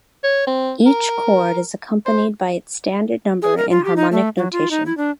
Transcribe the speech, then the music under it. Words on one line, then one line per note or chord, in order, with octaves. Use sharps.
Each chord is accompanied by its standard number in harmonic notation.
C#5
C4
A#4
C5
G#4
A#4
F4
G4
D#4
A3
F#3
F4
D#4
E4
D4